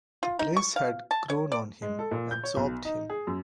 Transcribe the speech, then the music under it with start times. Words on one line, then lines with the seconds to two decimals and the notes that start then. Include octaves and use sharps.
The place had grown on him, absorbed him.
0.23 F4
0.39 D#4
0.57 C#6
0.76 F5
1.11 A5
1.30 C#5
1.52 D5
1.82 G#3
1.99 A4
2.11 A#2
2.31 G6
2.44 C#5
2.57 B1
2.85 D#4
3.10 G#4
3.27 F#2